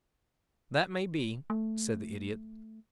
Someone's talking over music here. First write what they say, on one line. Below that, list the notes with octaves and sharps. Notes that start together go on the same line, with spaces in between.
"That may be," said the Idiot.
A3